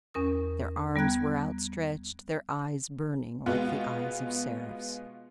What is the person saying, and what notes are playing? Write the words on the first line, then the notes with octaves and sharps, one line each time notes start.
Their arms were outstretched; their eyes burning like the eyes of seraphs.
E2 C#4 A#4 D#6
G3 B3 A#5 F#6 G#6
B2 G#3 B3 F4 F#4